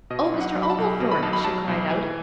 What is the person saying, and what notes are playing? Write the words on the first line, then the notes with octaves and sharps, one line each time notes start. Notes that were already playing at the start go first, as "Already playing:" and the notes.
"Oh, Mr. Oglethorpe!" she cried out.
B2 D#5
B1
F#5
F#3
B5
A5
B1
B2
B5
B1 A5
B5
F#3 A5
B1
E3 G#5